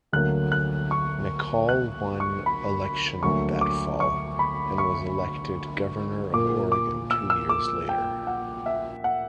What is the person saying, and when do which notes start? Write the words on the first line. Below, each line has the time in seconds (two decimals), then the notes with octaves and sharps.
McCall won election that fall, and was elected Governor of Oregon two years later.
0.13 D2 D3 F#3 A#3 F#6
0.52 F#6
0.91 C#6
1.69 F#6
2.20 C#6
2.46 B5
3.23 D2 D3 F#3 A#3 C#6
3.61 D6
4.00 C#6
4.39 B5
4.78 C#6
6.33 A#2 A#3 D6
6.72 D6
7.11 E6
7.30 E6
7.49 D6
7.89 G5
8.27 F#5
8.66 E5
9.04 F#5